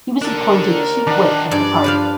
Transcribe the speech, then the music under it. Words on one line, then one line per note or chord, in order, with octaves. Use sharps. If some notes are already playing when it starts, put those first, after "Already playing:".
He was appointed chief whip of the party.
D#2 D4 A4 A#4
D#3 D4 F#5
G2 F3 G#4 D5
F3 B4 C5 F5